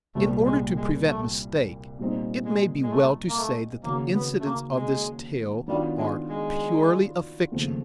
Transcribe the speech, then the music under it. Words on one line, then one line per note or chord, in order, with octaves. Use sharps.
In order to prevent mistake, it may be well to say that the incidents of this tale are purely a fiction.
C2 A#2 G3 A3 C4
G#3
G#3
A3
A#2 G3 C4 D#4
G#3
G#3
A3
A#3
A3
D#2 C#3 F#3 A#3
B3
A3
A#3
G#3
D#3 F#3 G3 B3 D4 F4
G#3
G#3
D#2 C#3 F3 A3 C4